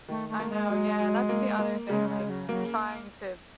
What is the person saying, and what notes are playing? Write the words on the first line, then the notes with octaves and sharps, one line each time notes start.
I know, yeah, that's the other thing, like trying to
D#3 A3
A3
A#3
G#3
F#3
F#3
A#3
A#3
C#3 G#3
G#3
C#3
F#3
F#3 A#3